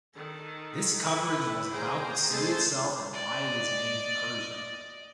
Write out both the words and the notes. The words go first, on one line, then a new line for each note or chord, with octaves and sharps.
This coverage was about the city itself and why it is named Persia.
D#3 A4
E4 A4 B4
G#4 C5 G5 A#5
G#3 A3 G#4 C5 A5 C6
D5 D#5